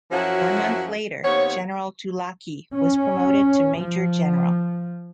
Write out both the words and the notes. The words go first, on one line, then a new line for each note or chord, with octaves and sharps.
One month later, General Dulacki was promoted to major general.
F#2 F3 F#3 C#4 E4 F#4
D#2 B3 C4 C#5
C#4
F3